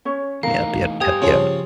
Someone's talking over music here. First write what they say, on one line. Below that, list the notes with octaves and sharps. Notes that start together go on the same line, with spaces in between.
Yep, yep, yep, yep.
C#4 C#5
E3 A3 D#4 A#4 F5
G2 G4 C5 G5 G#5 D#6 G#6
C#3 F3